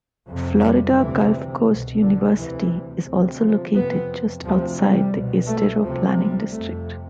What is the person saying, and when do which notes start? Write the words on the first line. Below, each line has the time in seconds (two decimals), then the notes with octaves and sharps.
Florida Gulf Coast University is also located just outside the Estero Planning District.
0.28 F2 C3
0.62 G3
0.97 D2 C3 E3
1.66 C2 B2
2.01 D3
2.36 D2 C3 E3
3.05 D2 C3
3.40 F3
3.74 F2 C3 B3
4.43 D2 C3 F3
4.79 G3
5.12 C2 B2
5.48 A3
5.82 D2 C3 F3
6.16 G3
6.52 F2 C3 A3